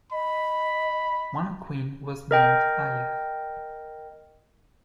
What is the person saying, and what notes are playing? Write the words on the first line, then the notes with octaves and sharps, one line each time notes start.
One queen was named Iah.
D#5 B5
A#4 D#5 G5